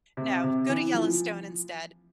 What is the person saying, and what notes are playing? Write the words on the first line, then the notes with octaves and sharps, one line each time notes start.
No, go to Yellowstone instead.
C3
C3
E3
F3